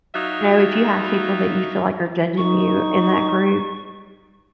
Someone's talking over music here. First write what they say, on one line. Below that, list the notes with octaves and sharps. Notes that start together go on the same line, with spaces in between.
you know, if you have people that you feel like are judging you in that group,
F#3 D#4 F4 F#4 E5
D#4 C#6